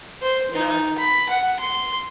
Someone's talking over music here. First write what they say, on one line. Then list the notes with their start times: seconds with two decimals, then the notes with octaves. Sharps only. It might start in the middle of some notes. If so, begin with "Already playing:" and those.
You know what I me
0.22 C5
0.53 D#4
0.98 B5
1.29 F#5
1.59 C6